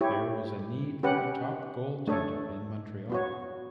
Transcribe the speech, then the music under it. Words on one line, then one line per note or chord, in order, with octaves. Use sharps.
There was a need for a top goaltender in Montreal.
E4 G4 C#5
C#4 G4 B4 F#5
A3 D4 A4 C#5
B3 F#4 C#5